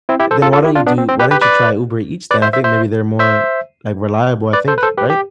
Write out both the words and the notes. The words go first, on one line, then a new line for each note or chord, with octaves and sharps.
Then why don't you do why don't you try Uber Eats then? I think maybe they're more, like, reliable, I think, right?
C4 E4
E4 G4
A4 C5
F4 A4
F4 A4
E4 G4
D4 F4
B3 D4
C4
C4
G4 B4
G4 B4
B4 D5
B4 D5
C5 E5
C5 E5
C5 E5
C5 E5
B4 D5
A4 C5
B4
A4 C5
G4 B4
G4